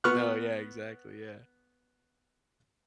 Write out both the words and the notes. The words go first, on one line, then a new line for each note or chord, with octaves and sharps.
No, yeah, exactly, yeah.
B3 C#6 F6 F#6